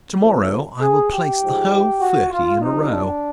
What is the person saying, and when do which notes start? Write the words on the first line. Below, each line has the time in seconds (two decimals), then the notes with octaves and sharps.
To-morrow I will place the whole thirty in a row.
0.21 D#2 C#3 F3 A#3
0.81 G#4
1.12 G4
1.41 G#2 F3 G#3
2.00 F#4
2.31 F4
2.61 C2 C3 F3 D#4
2.90 D4